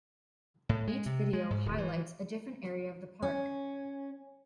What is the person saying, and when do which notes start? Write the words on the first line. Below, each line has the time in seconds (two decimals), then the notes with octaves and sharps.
Each video highlights a different area of the park.
0.69 A2
0.88 G#3
1.06 C3
1.33 G#3
1.51 G#2
1.66 D1
1.78 E3
3.22 C#4